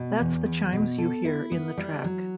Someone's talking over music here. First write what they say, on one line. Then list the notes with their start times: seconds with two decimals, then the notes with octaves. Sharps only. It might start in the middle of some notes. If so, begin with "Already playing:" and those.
That's the chimes you hear in the track.
Already playing: B2
0.20 E2
0.46 E2
0.73 B2
0.98 A4
1.25 E4
1.52 B3
1.78 G3
2.04 F#3